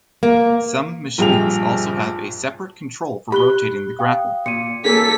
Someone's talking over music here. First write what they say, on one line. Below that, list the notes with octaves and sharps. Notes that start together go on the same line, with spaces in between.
Some machines also have a separate control for rotating the grapple.
A#3
A#1 G2 G#4 G5 F7
G4 B5 F#6 G7
F5 G5 D#6
A#2 C#7 D#7
A#3 C#4 G#4 A4 B6